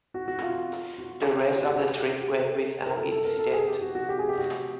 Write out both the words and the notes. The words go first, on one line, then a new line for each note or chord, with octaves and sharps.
The rest of the trip went without incident.
F#4
F#4
F4
F#4
F#4
G4
F#4
G4
G4
G4
F#4
G#4
A4
A#4
A4
A4
A#4
A4
G#4
G4
F#4
F#4
G4
G#4
G4
F#4